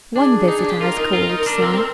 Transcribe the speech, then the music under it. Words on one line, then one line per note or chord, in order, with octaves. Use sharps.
"One visitor has called, sir."
D4 G#4
D#4
D4
G4
F4 A#4
D#4
F4 A#4
D#4
D4
C4
C4